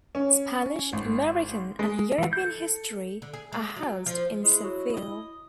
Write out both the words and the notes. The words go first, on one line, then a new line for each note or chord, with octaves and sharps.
Spanish American, and European history, are housed in Seville.
C#4
G#1
G#3
E3
G6
A4
D3
G#4
G#3
F#3
F3
G#3 E4
F#3
D#5